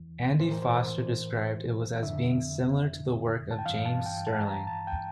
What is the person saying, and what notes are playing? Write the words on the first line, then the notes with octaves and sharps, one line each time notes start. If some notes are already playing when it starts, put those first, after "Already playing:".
Andy Foster described it as being similar to the work of James Stirling.
Already playing: E2 E3
A2 E3 C5
A#4
C5
F2 D3 E5
A5
G5
G2 E3 F5
A5
G5
A5
A#5
A5
G5